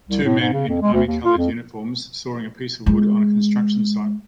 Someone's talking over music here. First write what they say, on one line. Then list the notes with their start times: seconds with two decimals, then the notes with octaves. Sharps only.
Two men in armycolored uniforms sawing a piece of wood on a construction site.
0.09 C2
0.24 A2
0.40 G#2
0.53 C#3
0.68 F2
0.82 G#3
0.93 D2
1.07 D#2
1.25 F4
1.37 F2
2.86 G#3